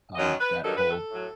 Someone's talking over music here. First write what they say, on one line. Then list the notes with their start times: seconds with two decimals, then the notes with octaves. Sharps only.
um, that whole
0.15 F#2 D#3 F#3 D#5
0.40 B4
0.63 G2 D#3 F#3 A4
0.77 B4
0.90 A4
1.10 A2 F#3